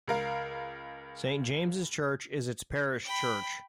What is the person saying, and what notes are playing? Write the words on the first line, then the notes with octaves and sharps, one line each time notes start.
Saint James' Church is its parish church.
C#2 A#4 F5
G5 B5